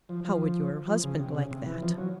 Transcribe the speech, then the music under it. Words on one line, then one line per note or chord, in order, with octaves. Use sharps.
"How would your husband like that?"
F3
F3
F3
C#3
C3
C#3
C3
E3
F3
F#3